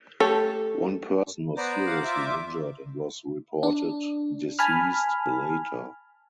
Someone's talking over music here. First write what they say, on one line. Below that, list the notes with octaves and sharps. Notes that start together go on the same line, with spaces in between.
One person was seriously injured and was reported deceased later.
A3 G4 A4 C#5
B3 B4 C5 D5 A#5
F5 F#5
F4 E5 D6
D4
G#5 A5 B5 F6